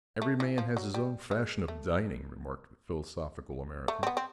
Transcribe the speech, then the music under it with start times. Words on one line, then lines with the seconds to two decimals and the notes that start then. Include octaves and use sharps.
"Every man has his own fashion of dining," remarked the philosophical American.
0.22 A3
0.40 E3
0.58 F3
0.77 F#3
0.94 G3
1.31 G#3
1.68 A3
3.88 A3
4.03 C4
4.07 B3
4.17 C4